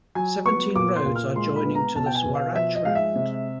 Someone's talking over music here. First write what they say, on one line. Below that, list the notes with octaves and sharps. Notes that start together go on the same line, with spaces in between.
Seventeen roads are joining to the Swaraj Round.
F#3 G#5
B3 C#6
A#2 D6
C6
A#2
F6
G#3 C6
B5
B3
A#5
B2 A5
G5
G#5
B2
F5
F3 E5
D#5
G#3 F5
E5
C3